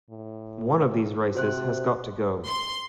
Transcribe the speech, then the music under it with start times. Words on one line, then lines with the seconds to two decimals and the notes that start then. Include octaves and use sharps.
One of these races has got to go.
0.10 A2
1.35 C3 F#4 C5 F#6
2.47 C6